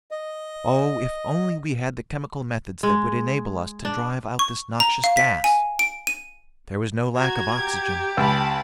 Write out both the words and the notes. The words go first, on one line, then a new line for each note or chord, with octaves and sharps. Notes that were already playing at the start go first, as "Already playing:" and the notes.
Oh, if only we had the chemical methods that would enable us to drive out this noxious gas! There was no lack of oxygen.
D#5
G#3
D4
C#6
A#5
F5
B6
G#5
D7
D#7
F#4 A#5 G#6
G4
C#2 G5 A5 B5